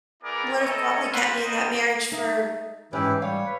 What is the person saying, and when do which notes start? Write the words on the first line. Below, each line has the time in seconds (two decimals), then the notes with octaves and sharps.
would have probably kept me in that marriage for
0.22 B3 E4 G#4 A#4 D5
0.59 E4 A4 A#4 C#5 D#5
1.11 C4 F4 B4 C5 F5 F#5
1.42 B3 A#4 C5 D#5
2.12 D#4 E5
2.93 G#2 E3 C#4 E4 G4 B4
3.22 G3 C#5 F5
3.46 B4